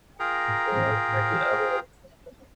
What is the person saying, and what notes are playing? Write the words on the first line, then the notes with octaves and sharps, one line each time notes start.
Gold Medal Award.
F4 G#4 A#4 G5 A#5